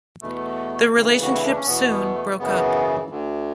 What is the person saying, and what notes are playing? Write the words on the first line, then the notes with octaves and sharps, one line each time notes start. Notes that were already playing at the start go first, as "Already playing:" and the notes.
The relationship soon broke up.
E2 B2 A3
A3
D2 C#3 E3
F#4
E4
D4
C#4
E2 B2 B3
B3
A3
F#2 C#3 E3 B3
D2 D3